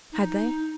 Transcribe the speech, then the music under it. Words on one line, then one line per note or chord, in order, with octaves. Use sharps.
Had they?
D#4